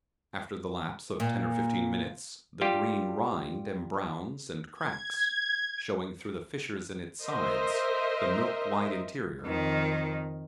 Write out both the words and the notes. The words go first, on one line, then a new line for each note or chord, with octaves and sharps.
After the lapse of ten or fifteen minutes, the green rind embrowns and cracks, showing through the fissures in its sides the milk-white interior.
A#2
G3 F4 G4
G#6
A#4 C5 D#5 E5
F2 D#3